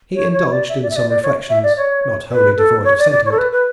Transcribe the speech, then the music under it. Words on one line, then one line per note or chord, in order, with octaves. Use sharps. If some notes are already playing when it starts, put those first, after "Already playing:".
He indulged in some reflections--not wholly devoid of sentiment.
C#5
C#5
D5
E5
D5
E5
D5
D5
C#5
E5
D5
C#5
B4
A4
C#5
D5
D5
C#5
A4
B4
B4